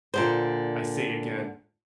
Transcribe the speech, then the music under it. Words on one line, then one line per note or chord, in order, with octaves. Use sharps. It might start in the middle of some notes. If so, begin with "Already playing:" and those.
I say again.
A#2 D3 C5